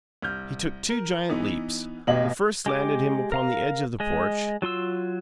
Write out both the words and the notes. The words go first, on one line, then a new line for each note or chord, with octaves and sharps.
He took two giant leaps. The first landed him upon the edge of the porch.
C2 F6 G6
A#4
E3 B3 D#4
A1 B2 G4 D#5 F5 F#7
G#3 G4 D6
A#4 F5 A#5
G#3 D#5
F#3 F4 C6 E6